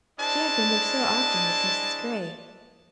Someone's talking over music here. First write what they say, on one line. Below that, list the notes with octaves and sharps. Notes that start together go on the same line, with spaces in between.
She had been there so often with Mrs. Gray.
D4 E4 G#4 C5 D#5 A5